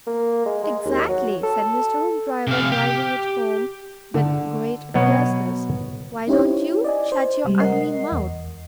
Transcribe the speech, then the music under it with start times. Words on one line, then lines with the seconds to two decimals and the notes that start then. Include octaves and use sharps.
"Exactly," said Mr. Hoopdriver, driving it home with great fierceness. "Why don't you shut your ugly mouth?"
0.07 A#3
0.45 G#3
0.64 G#3
0.85 D#2
1.09 F#3
1.43 A4
2.47 C3 F5
2.72 G4
4.14 D3
4.94 B2 F#3 B3 C#5
6.27 C#4 D#4 E4 G4 C5 C#5
6.84 D5 D#5 G#5
7.12 C5
7.45 C3 G3 G#3
7.60 A#4 D#5 F#5 C7
8.12 E2